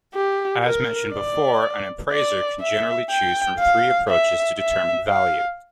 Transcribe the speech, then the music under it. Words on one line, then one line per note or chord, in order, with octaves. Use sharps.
As mentioned before, an appraiser can generally choose from three approaches to determine value.
G4
A#4
D5
D5
E5
G5
F5
E5
E5
F5